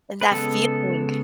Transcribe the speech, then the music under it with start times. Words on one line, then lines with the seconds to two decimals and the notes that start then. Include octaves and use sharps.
And that feeling.
0.21 B4
0.31 C#3 G#3 B3 A4